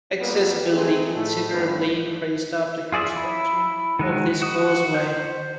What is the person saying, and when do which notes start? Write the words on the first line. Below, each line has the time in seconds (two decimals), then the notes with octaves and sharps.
Accessibility considerably increased after construction of this causeway.
0.19 F2 G3 A#3 B3 F4 B4
0.73 A3 C4 D#4 G#4
1.15 A2 A3
1.52 G#1 G2 B4
2.92 F4 G#4 D5 E5
3.16 E4
3.99 D#3 G#3 F#4
4.42 F#4 D#6
4.94 C5